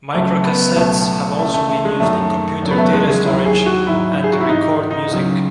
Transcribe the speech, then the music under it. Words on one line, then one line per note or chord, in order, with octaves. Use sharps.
Microcassettes have also been used in computer data storage and to record music.
C#2 C#3 F#3 A3
B3
C#2 B2 F#3 A3
C#2 C#3 E3 A3
A3
A3
G#3
F#2 D#3 F#3 A3
E2 C#3 F#3
B3
A3
G#3
G#3
D#2 D#3 F#3 E4
G#4
F#4
G#2 D#3 F#3 E4
G#4
F#4
E4
G#2 E3 D#4
D#4
C#2 C#3 F#3